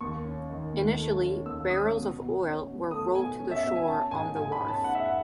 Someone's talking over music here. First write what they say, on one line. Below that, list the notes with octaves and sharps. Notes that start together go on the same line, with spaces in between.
Initially barrels of oil were rolled to shore on the wharf.
D#2 C#6
C#4
D#3
D#2
A3
C#4
D#2 E6
C#4 D#6
B2
B2
C#4
B2
A3 D#6
B2 G#5
C#4
E5
B2 E5
G#5
C#4 A5
G#2 G#5
G#2 G#5
B5
C#4
A5
G#2 F#5
E5
F#5